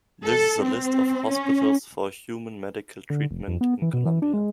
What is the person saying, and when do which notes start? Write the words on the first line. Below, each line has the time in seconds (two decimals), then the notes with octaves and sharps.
This is a list of hospitals for human medical treatment in Colombia.
0.24 A4
0.62 C4
1.28 C#4
3.10 D3
3.31 F1
3.48 F2
3.61 B3
3.82 E3
3.93 B2
4.05 E3
4.22 D4
4.33 G#3